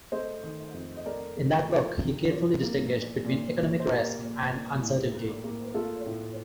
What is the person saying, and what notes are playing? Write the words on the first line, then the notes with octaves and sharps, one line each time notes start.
In that book, he carefully distinguished between economic risk and uncertainty.
A3 C5 D#5
D#3
F2
D#5
A3 A#4 D5
A3
F3
C3
F3
A#3
A#2
A#2
A#2
C5
A#2 G4 A#4
A#2
A#2
A2
A#3
A#3
A3 F4 A4
A2